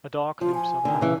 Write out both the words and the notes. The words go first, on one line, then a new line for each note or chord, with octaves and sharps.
A dog leaps on a man.
F3 F4
G#5
D3 D#3
C#3 E3